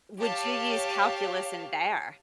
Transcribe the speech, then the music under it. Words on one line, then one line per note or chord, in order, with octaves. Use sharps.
would you use calculus in there?
G4 C#5 F5 A5